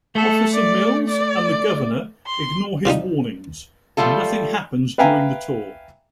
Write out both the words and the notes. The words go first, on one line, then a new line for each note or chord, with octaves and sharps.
Officer Mills and the governor ignore his warnings, and nothing happens during the tour.
A3 A4
D5
D5
C6
C3 F3 G3 D#4
F3 G3 A3 F4 A4
B4 E5 F5 G5 G#5 A#5